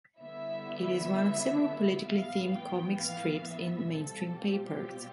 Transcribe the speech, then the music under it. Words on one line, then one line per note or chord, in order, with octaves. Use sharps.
It is one of several politically themed comic strips in mainstream papers.
D3 G3 B3 E4 E5
A2 E3 B3 F5
G5
F5
E5
B2 G3 C4 F4 A4
G4